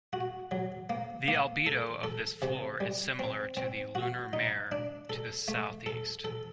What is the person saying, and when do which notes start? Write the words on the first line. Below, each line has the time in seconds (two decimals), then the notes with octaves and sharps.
The albedo of this floor is similar to the lunar mare to the southeast.
0.13 F#4
0.51 F#3
0.90 A#3
1.28 A#3
1.66 A4
2.04 A4
2.42 C3
2.80 G3
3.19 C4
3.57 C4
3.95 F#4
4.33 D#4
4.72 D4
5.10 A4
5.48 A3
5.86 A4
6.25 A4